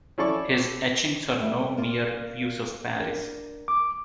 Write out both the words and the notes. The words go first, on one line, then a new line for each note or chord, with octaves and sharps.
His etchings are no mere views of Paris.
C#4 E4 A4 D5 C#6
G3 A3 F#4
A#3 F4 D5
D4 A#4
D6